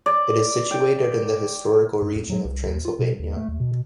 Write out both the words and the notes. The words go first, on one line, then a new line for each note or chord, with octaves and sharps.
It is situated in the historical region of Transylvania.
D5
G5
G2
F2
F#3
C2
D#2
F4
B2
D#2
A3
D#2
B2
B2